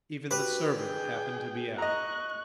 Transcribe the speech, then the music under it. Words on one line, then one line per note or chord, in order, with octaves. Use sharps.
Even the servant happened to be out.
F#4 G4 B4
G#4 G5
D#5 A#5 C#6 F#6